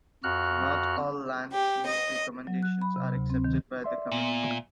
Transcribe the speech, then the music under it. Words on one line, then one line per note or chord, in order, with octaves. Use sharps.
Not all Landsea's recommendations are accepted by the Committee.
F2 F#4 F6 F#6
G4
D#5
F#3
F#6
B5
C3
D2
C4
D#3
D5 E5 C6
A#2 B3